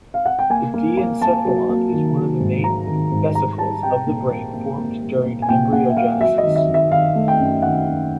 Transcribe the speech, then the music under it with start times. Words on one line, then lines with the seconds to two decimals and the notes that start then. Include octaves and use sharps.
The diencephalon is one of the main vesicles of the brain formed during embryogenesis.
0.14 F5
0.26 F#5
0.39 G5
0.50 A#3 G#5
0.74 A#3
0.97 A#3
1.22 A#3 A5
1.45 F#3
1.69 A#3
1.93 D#3
2.17 F#3
2.40 G#2
2.63 F#3 A#5
2.87 D#3
3.12 G#2
3.35 G3 A#5
3.58 G3 A5
3.83 G3 G5
4.06 A#2
4.30 A#3
4.54 A#3
4.78 A#3
5.02 G3
5.26 A#2
5.42 G#5
5.49 A#2 G5
5.73 A#2 F#5
5.89 E5
5.96 A#3 F5
6.20 F#3 E5
6.38 D#5
6.44 D#3
6.56 E5
6.69 D#3
6.74 E5
6.91 D#3 F5
7.15 A3
7.28 G5
7.39 F#2
7.62 D#3 F#5
7.87 F#2